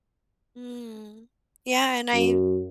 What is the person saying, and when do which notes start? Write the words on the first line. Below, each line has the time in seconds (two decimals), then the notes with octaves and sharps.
Mm. Yeah, and I
2.14 F#2